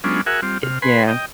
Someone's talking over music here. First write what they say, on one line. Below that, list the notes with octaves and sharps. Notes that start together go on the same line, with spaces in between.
Eh, yeah.
F#3 G#3 B3 C#4 D4 F4
F#4 G#4 A#4 E5 F#5 G#5
G3 C4 F4
C3 F6
B4 G#5 B5 C6
D#5 G5